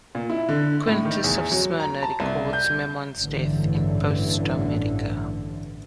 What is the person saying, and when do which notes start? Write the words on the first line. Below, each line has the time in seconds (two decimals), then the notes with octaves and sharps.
Quintus of Smyrna records Memnon's death in "Posthomerica".
0.15 A#2
0.30 E4
0.49 D3
0.87 A2
1.05 D#3
1.24 E2
1.52 F#3
1.80 A#5
2.03 A5
2.20 C2
2.53 G6
3.16 A1 G2 D3 E3